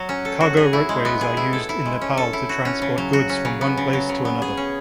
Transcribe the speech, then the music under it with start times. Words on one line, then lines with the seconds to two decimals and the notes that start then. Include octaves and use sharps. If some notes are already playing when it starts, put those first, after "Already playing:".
Cargo ropeways are used in Nepal to transport goods from one place to another.
Already playing: F#3 F#4
0.09 C#4
0.25 A4
0.41 F#4
0.57 G#4
0.73 E4
0.89 G#3
1.05 B3
1.21 G#4
1.37 E4
1.53 A4
1.69 E4
1.86 G#3
2.01 C#4
2.17 A4
2.33 E4
2.49 F#4
2.65 C#4
2.82 C#3
2.98 F#3
3.13 F#4
3.29 C#4
3.45 C#3
3.61 B3
3.77 C#3
3.93 F#3
4.09 C#3
4.25 B3
4.42 G#4
4.57 C#4